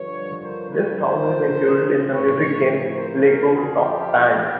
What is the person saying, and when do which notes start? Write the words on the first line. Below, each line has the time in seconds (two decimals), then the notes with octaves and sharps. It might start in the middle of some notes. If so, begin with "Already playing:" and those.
This song is included in the music game "Lego Rock Band".
Already playing: G2 D3 F3 B4 C#5
0.42 A#4 C5
0.70 A4 B4
0.98 A#2 F3 A#4 C5
2.10 A2 F3 B4 C#5
2.38 B4 C#5
2.66 B4 C#5
2.94 A#4 C5
3.22 F2 D3 F3 G#4 A#4
3.50 F#4 G#4
3.79 F4 G4